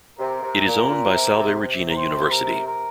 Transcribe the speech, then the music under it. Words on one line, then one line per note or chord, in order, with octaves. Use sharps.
It is owned by Salve Regina University.
C3 A#4
C3
A#2
A#2
C3
C3
C3
A#4
C5
A#4
A#4